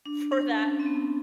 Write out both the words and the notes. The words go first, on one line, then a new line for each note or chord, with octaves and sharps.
for that
D4
D4
C#4
C4
B3